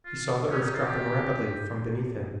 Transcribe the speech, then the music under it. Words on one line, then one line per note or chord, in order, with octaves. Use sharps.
He saw the earth dropping rapidly from beneath him.
F4
C#4
D#4
F4
G4